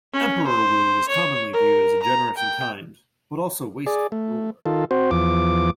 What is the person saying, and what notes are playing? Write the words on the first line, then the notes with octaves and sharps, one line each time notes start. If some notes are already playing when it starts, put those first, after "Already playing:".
Emperor Wu was commonly viewed as a generous and kind, but also wasteful, ruler.
C#4
C5
C#5
A#4
A#5
G5
G#4 D5
A3
D#3 F4 A4
C4 F#4 C5
E2 F3 D6